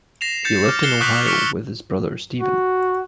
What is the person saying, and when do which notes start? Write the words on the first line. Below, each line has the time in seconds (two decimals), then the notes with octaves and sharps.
He lived in Ohio with his brother Stephen.
0.21 A#6 C7 E7 F7
0.44 G6 A6 C#7 E7
0.65 D6 F6
0.83 F#6 C7 C#7 E7 G7
1.01 C#6 D#6 F#6 G6 B6 F#7
1.27 C#6 F6 B6 C#7
2.40 F#4